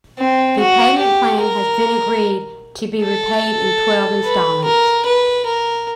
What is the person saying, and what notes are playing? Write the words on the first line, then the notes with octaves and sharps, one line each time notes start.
The payment plan has been agreed to be repaid in twelve instalments.
C4
F#4
G4
A#4
A4
B4
A#4
B4
A#4